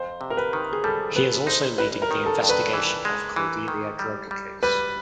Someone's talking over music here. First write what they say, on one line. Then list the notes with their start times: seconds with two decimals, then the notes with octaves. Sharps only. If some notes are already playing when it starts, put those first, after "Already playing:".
He is also leading the investigation of Cordelia drug case.
Already playing: F2 C5
0.21 C3
0.30 A#4
0.37 B4
0.53 D#3
0.73 G#4
0.84 G3 A4
1.16 B3 B4
1.47 D#4 C5
1.78 A1 B4
2.02 A#4
2.11 D#3
2.26 A4
2.42 G2
2.49 B4
2.73 E3
3.05 G#3
3.36 E3
3.68 D#3
3.99 G3
4.31 G3
4.63 G3 B4